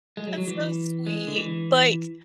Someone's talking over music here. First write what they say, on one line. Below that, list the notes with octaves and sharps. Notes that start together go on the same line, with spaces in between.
That's so sweet like,
G#3
F#3
F#3
E3
G#3
D3
E3